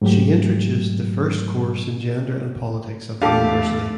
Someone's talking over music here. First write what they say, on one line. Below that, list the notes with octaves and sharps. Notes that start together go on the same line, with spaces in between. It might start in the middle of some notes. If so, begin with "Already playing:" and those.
She introduced the first course in gender and politics at the university.
G#2 F#3 A3 G4
E2 A3 D4 G4 A4 F5 D6